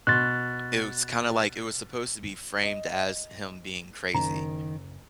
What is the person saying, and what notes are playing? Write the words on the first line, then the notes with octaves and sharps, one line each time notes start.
it was kinda, like it was supposed to be framed as him being crazy.
B2 C6 F#6 A6
D#5
F#1 D#3 A#5